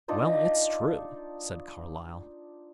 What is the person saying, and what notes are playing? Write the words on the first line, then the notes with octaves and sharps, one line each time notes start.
"Well, it's true," said Carlyle.
D4 D#4 F4 C5